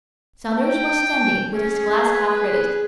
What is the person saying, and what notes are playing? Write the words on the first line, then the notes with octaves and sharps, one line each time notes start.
Saunders was standing with his glass half raised.
G5
C#4 G#4
B4